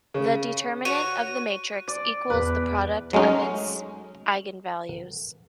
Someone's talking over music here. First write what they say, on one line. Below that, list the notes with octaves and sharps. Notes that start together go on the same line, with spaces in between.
The determinant of the matrix equals the product of its eigenvalues.
C#3
F#4 C#5 D#7
D5
E2 B4
F#3 G#3 A3 C#4 D#4